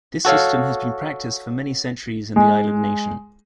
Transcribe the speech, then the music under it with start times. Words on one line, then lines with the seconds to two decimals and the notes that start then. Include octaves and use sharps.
This system has been practised for many centuries in the island nation.
0.25 F#4 A4 C#5 F5
2.36 G#3